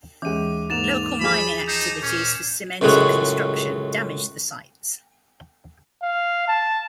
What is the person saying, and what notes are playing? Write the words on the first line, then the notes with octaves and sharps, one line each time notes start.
Local mining activities for cement and construction damage the sites.
D#2 E3 G#3 C#4 D6 D#7
G#2 A#3 A6 E7 F7
F3 G#4 B5
D#4 G6 C7 E7
A#2 C#4
C#2 F#2 A2 F#3 G#3
F5
A5